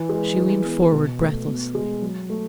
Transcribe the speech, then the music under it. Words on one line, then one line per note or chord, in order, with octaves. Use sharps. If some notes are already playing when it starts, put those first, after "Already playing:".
She leaned forward breathlessly.
Already playing: E3
G#3
E3
B3
B2
A3
B2
G#3
F#3
A3